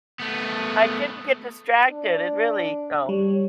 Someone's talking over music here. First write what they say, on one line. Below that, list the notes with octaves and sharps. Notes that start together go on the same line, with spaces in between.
I didn't get distracted. It really no,
A3 B3
D4
G3 C#5